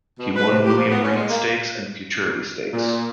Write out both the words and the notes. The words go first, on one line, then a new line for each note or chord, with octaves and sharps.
He won William Reid Stakes and Futurity Stakes.
B2
B4
C3
G4
F3
B3
C#4
G#3
A#3
A#2